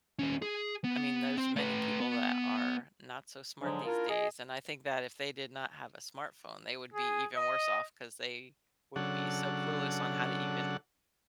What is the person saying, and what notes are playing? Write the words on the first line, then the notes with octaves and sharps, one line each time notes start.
I mean, there's many people that are not so smart these days, and I think that if they did not have a smartphone, they would be even worse off 'cause they would be so clueless on how to even
D#2 C#4
G#4
B3
C4
A3 B4
B3
G#2 D3 F3 F#3 G#3 D4
A#3 D4 E4 F4 A#4
G#4 D#5
G#4
D#5
C#3 F#3 D4 A4 F#5